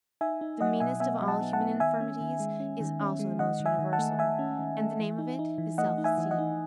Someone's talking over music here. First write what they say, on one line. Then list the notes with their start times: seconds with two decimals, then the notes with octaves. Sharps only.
The meanest of all human infirmities is also the most universal; and the name of it is Self-esteem.
0.21 D#4 E5 G#5
0.41 D#4
0.61 F#3 D#5 F#5
0.80 B2 E5 G#5
1.00 B3 E5 G#5
1.21 F#3
1.28 F#5 A5
1.41 B3
1.53 F#5 A5
1.61 B3
1.80 D#3 E5 G#5
2.01 C#4
2.21 D#3
2.40 G#3
2.60 C#4
2.80 D#3
3.00 C#4
3.20 G#3
3.39 D#3 D#5 F#5
3.60 D#3
3.66 E5 G#5
3.79 D#3
3.93 F#5 A5
3.99 A3
4.19 D#3 E5 G#5
4.39 C#4
4.59 D#3
4.79 A3
4.99 E3
5.18 D#4
5.39 D#4
5.58 E3
5.78 A3 D#5 F#5
5.98 D#4
6.04 E5 G#5
6.18 E3 E5
6.31 D#5 F#5
6.39 D#4